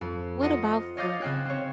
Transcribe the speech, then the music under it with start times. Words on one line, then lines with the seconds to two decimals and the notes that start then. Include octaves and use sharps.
what about fruit?
0.01 F2
0.41 F4 D#5 F#5
0.97 C#5 D#5 F5 D6 G6 A6
1.21 C#3 C4 F5 G5 F#6 G#6
1.45 C4 C#5